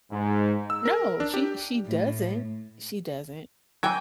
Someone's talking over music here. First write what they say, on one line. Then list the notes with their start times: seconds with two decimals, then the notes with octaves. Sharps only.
No, she she doesn't she doesn't,
0.11 G#2
0.70 E6
0.86 A#4
1.20 D4
1.34 G4
1.87 A2
3.83 E3 F#3 G5 G#5